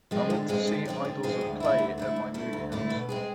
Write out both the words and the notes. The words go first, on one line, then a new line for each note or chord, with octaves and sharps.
I want to see Idols of Clay at my movie house.
F3 G#3 C4 G#4
D3
F3 G#3 C4 G#4
D3
F3 G#3 C4 G#4
D3
F3 G#3 C4 G#4
D2
D3 A3 E4
D2
D3 A3 E4
D2
D3 A3 E4
D2
D3 A3 E4
B2
G#3 C4 G#4